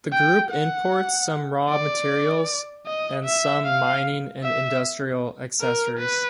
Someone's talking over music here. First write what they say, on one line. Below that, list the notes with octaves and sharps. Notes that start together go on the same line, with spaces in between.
The group imports some raw materials and some mining and industrial accessories.
G5
F#5
D5
D#5
E5
F5
E5
A#4
B4